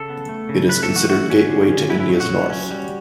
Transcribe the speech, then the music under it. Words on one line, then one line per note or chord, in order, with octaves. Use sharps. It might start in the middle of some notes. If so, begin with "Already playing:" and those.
It is considered Gateway to India's North.
Already playing: C#3 A4
B3
A3
C#3
A3 B4
A4
E3
F#4
A3 F#4
C#4
D3
C#4
F#3 E4
E4
F#3
F#4
F#3
C#4
G3